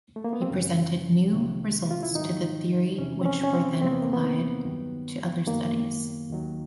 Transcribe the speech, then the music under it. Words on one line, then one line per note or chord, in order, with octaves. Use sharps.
He presented new results to the theory which were then applied to other studies.
A3
A#3
B3
C4
F#2 C#3 E3 C#4
C2 C3 D#3
F4
E4
G#2 D#3 F#3 D#4
E2 C3 E3 C#4
C4
C#4
C#4
C4
E2 C3 E3 C4
B3
A#3
B3
G2 D#3 F#3
F#2 D#3 F#3 A#3
D#2 D#3 F#3